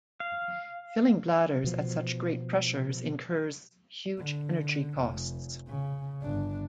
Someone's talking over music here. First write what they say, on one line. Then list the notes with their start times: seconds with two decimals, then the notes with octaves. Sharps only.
Filling bladders at such great pressures incurs huge energy costs.
0.20 F5
1.64 B2 F3
4.18 D3
5.00 F1
5.67 C#3
6.22 G1 D4